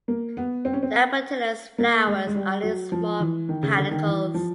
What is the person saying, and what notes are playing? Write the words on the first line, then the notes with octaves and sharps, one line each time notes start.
The apetalous flowers are in small panicles.
A#3
B3
C4
C#4
C4
A#3
G#3
G#3
G3
F#3
F3
E3
D#3
C#3
D3
D#3
E3
F3